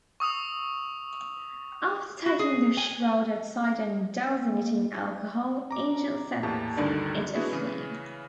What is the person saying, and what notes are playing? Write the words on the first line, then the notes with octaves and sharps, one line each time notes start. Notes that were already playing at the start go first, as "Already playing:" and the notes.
After taking the shroud outside and dousing it in alcohol, Angel sets it aflame.
C#6 D#6 E6 F7
F#4
G#4
G#5
A#3
A#5 D6
E2 A2 A#3 G4 A5
D2 G2 D3 D#3 A4 D5
B3 D4 E4 F#4 G#4
C#3 E3 C#4